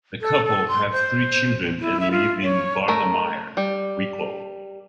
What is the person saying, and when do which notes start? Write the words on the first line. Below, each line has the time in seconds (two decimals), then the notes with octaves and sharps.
The couple have three children and live in Barnamire, Wicklow.
0.21 A4
0.45 A4
0.68 C6
0.92 C5
1.80 E4
2.00 E5
2.11 F4
2.43 C#5
2.88 A3 A#4
3.57 G3